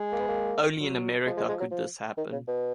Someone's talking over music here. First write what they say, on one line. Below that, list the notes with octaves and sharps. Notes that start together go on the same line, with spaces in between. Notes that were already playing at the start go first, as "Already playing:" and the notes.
Only in America could this happen.
Already playing: G#3
A#3
B3
A#3
F#3
F3 G#3
G#3
G#3
F#3
F3
D#3
C#3
B2